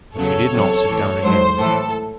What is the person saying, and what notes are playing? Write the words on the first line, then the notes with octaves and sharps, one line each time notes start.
But she did not sit down again.
E2 C#3 F#3 A4 C#5
E2 C3 F#3
A2 E3
G#2 F#3 C5
A2 E3 A4